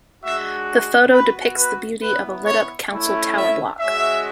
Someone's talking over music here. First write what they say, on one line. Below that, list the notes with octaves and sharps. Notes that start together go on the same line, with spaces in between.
The photo depicts the beauty of a lit up council tower block.
G#3 D4 F#4 E5
B3 F#4 B4
B4
B3 E4 B4
C#5
A3 C#4 E4
E5
G#3 C#4 F#4 E5